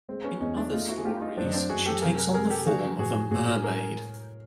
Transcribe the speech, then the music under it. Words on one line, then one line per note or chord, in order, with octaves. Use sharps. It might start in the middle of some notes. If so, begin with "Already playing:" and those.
In other stories, she takes on the form of a mermaid.
G#3 C4
B3 C#4
E2 C#4 D#4
D4 E4
A3 D#4 F4
E4 F#4
G#4
A3 F4 G4
D#4 F4
F#2 C4 D4
D#4
C4 D4
F#2 F#4 G#4
G4 A4
C3 G#4 A#4
G#4 A#4
C3 G#4 A#4
G4 A4
F3 F#4 G#4
A2 F#4 G#4
A2 F#4 G#4
G#3 G#4 A#4